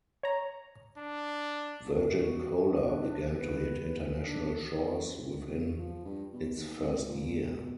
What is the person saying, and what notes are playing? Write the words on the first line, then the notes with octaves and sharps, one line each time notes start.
Virgin Cola began to hit international shores within its first year.
C#5 A#5
D4
F#4
D4
B4
D4
F#1
D2
E1
F3
G2
B2
D#2
G#1
A#2
B2